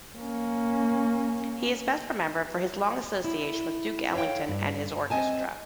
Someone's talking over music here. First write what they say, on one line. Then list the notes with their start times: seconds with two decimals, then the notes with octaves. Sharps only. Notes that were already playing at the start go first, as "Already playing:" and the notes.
He is best remembered for his long association with Duke Ellington and his orchestra.
0.17 A#3 C#4
3.24 E4
4.14 A4 C#5 E5 F5 G5
4.48 G2
5.10 C4 D#5 G#5 A5